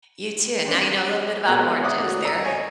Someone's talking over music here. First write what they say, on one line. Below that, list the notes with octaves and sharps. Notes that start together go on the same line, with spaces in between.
You too. Now you know a little bit about oranges. They're
C4 D4
B2 G#3 A#4
C#5 D5 E5 F#5 D6 D#6
A3 F#4
D5 A#5 E6
C#5 D#5 G#5